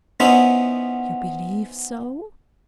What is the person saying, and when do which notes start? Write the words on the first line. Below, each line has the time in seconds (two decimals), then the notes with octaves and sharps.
"You believe so?"
0.20 B3 C#4 D#4 E4 C5 B5